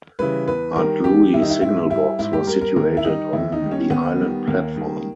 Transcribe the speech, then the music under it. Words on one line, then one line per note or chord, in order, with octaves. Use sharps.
Ardlui signal box was situated on the island platform.
C#3 E3 G3 B4
E2 B4
D#3 G3 A#4
E2 G4
D#3 G3 E4
D#4
E4
G#2 E4
G3 E4
G#2 E4
G4
G3 A#4
A#4
D#2 A#4
E4
D#3 G3 D#4
D#2 E4
D#4
D#3 G3
C#4
D#2 B3
D#3 G3
D#2 A#3
D#3 G3